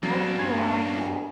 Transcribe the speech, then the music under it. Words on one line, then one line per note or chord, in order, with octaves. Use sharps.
That's cool, I like that.
F#3 G3 A#3 B3 C#4 D4 A6
G2 G#6